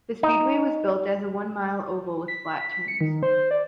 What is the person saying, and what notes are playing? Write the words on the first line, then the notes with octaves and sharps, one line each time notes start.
The speedway was built as a one-mile oval with flat turns.
D#4
B6
C#7
D#3
C5
D5